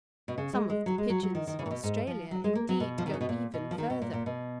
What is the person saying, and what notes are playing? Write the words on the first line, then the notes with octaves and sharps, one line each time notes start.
Some of the pigeons of Australia, indeed, go even further.
B2
C#3
G#3
G#3
F#3
G#3
F#3
F#3
D#3
D#3
C#3
A#2
B2
G#2
F3
F#3
G#3
A#3
F#3
B2
F3
D#3
C#3
B2
A#2
B2
F3
D#3
B2
A#2
A#2
B2